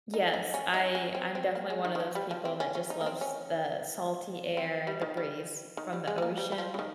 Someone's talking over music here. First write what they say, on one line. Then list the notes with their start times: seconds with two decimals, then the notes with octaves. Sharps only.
Yes, I I'm definitely one of those people that just loves the salty air, the breeze from the ocean.
0.14 D#4
0.34 D#4
0.54 C#4
0.74 D#4
0.95 C#4
1.15 C4
1.35 C4
1.55 A#3
1.70 G#3
1.85 D#3
1.95 D#3
2.00 F3
2.15 G3
2.31 F3
2.45 C4
2.60 C#4
2.75 C#4
2.90 D#4
3.01 A#3
3.06 C4
3.21 C#4
4.57 C4
4.87 G3
5.02 D#3
5.17 G3
5.77 D#3
5.93 G3
6.07 G#3
6.18 G#3
6.22 A#3
6.38 G3
6.52 G3
6.58 F3
6.74 C#3
6.79 D#3